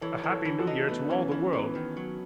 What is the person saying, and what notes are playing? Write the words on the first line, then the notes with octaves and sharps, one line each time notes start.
A happy New Year to all the world!
E3 A4 C#5
E3
A4 C#5
E3
F#4 A4
D#4
A3 B3
E3 C#4
E3 C#4
E3 B3
D#3
F#3